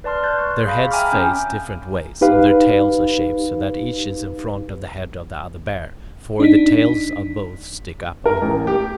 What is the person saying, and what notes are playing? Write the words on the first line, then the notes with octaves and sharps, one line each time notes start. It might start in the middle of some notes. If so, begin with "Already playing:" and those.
Their heads face different ways, and their tails are shaped so that each is in front of the head of the other Bear; for the tails of both stick up over them.
B4 D5 A5 C6 F6
C6 F#6 G6 A6
C#6
G#4 F5 B5
E5 G5 G#5 A#5 D6 F6
C#4 G6
D#4 G4 B4 F5
D4 D#4 B6
A#4
A1
G4